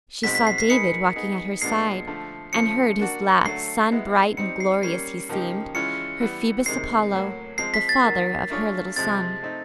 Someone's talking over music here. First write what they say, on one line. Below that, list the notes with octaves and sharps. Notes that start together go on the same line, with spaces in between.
She saw David walking at her side, and heard his laugh, sun-bright and glorious he seemed, her Phoebus Apollo--the father of her little son.
B2 G#3 C4 D#4 F#4 B6
B6
C7
C7
A#3 D#4 G#4 B4 C#7
B3 D#4 G#4
A#2 F3 G#3 B3 D4 C7
D3 F3 A3
C#3 F3 A3 C#7
A#3 D4 F#4
D3 F#3 A3 C7
G#3 B3 E4
G3 C4 D#4 C#7
C7
G3 A#3 C#4 C7
C#3 F3 A#3 D#4 G4
E3 G#3 C#4 F4 C#7
E3 G3 B3
C3 D#3 G#3 C4 C7
A2 F#3 A#3
F3 G#3 C4 C7
B6
A6
D#3 F#3 A#3
A3 D4 F4 G#4 C#5
C3 F3 G#3 C4 A6
A3 C4 D#4